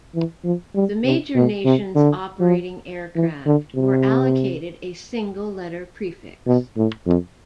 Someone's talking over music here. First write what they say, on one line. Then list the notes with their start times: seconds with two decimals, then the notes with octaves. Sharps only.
The major nations operating aircraft were allocated a single letter prefix.
0.15 E3
0.45 F3
0.75 G3
1.05 C3
1.36 B2
1.65 C3
1.96 D3
2.40 F3
3.16 E3
3.46 D3
3.76 C3
6.47 B2
6.77 A2
7.07 F2